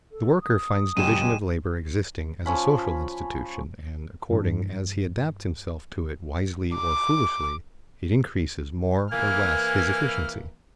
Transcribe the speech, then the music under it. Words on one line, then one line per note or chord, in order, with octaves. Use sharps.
The worker finds division of labor existing as a social institution and, according as he adapts himself to it wisely or foolishly, it increases more or less his efficiency.
A4
D#6
C#2 F#2 A#2 G#3 G4 D#7 E7
F3 C#4 B5
G2 E3 D4
D6
E3 A#3 G#5 F6